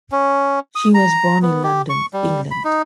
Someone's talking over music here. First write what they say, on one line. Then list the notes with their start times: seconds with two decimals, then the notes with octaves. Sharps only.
She was born in London, England.
0.12 C#4
0.75 D#6
0.94 A#5
1.42 B3
1.64 G4
1.89 C#6
2.13 G3
2.51 B5
2.64 D#4